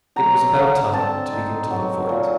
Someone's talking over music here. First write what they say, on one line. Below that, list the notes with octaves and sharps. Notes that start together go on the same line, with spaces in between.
It was about time to begin to look for it.
F#3 A#5
D3
C4 A5
D#4
F#3
A#2